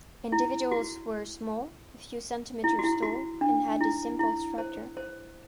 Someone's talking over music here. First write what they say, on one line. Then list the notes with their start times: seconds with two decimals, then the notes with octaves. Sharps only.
Individuals were small, a few centimetres tall, and had a simple structure.
0.32 E4
0.71 F#4
2.64 E4
2.79 F#4
2.84 E4
3.03 F#4
3.41 D4
3.81 E4
4.19 E4
4.58 C5
4.97 C5